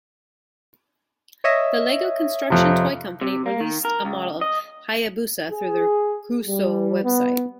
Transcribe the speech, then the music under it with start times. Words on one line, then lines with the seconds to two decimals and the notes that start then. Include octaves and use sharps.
The Lego construction toy company released a model of "Hayabusa" through their Cuusoo website.
1.44 C#5 D#5 E5
2.50 F2 C3
3.21 C3
3.46 A#3
3.60 D#3
3.85 A#4
4.05 C#2
4.41 D#5
5.51 G#4
6.47 G3
7.04 B3